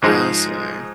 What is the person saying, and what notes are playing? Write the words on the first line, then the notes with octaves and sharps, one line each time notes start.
I see.
G#2 F3 G#3 D#4 G#4